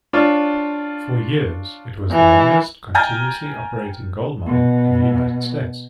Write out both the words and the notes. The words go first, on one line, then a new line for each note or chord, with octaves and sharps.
For years, it was the longest continuously operating gold mine in the United States.
D4 F4 C#5
E3
G5 G#5 A#5 F6 G6 A6
B2